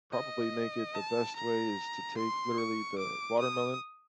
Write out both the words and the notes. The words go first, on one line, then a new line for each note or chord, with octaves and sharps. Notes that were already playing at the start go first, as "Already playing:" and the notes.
probably make it the best way is to take literally the watermelon,
D#5
A5
A#5
C6
C#6
D6
D#6